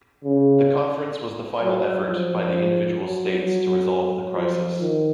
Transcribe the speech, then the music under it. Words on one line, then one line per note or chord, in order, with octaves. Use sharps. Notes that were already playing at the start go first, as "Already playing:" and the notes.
The conference was the final effort by the individual states to resolve the crisis.
C#3
F#3
F3
F#3
F#3
F3
D#3